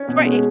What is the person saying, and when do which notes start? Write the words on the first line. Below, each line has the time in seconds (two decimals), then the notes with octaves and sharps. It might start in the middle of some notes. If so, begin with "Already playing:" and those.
Right. It's
Already playing: C#4
0.08 B2
0.25 G#3